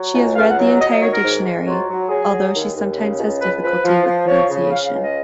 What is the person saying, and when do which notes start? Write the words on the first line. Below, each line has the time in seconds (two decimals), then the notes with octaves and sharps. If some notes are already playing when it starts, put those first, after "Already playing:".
She has read the entire dictionary, although she sometimes has difficulty with pronunciation.
Already playing: F#3
0.14 C#2
0.35 C#2 F5
0.49 F#5
0.57 F#3
0.79 F#3 D#5
0.89 D#5
1.00 D#3 C#5
1.11 A#4
1.23 G#2
1.43 G#2
1.65 F#3 F4
1.87 F#3
2.08 F#3 G#4
2.31 F#3
2.53 D#2
2.74 D#2
2.96 C#3
3.17 C#2
3.39 C#2 B4
3.62 F3 B4
3.83 F3
4.05 F3
4.26 F3 C#5
4.48 C#3
4.70 C#3 F5
4.84 F5
4.92 C#2
5.00 D#5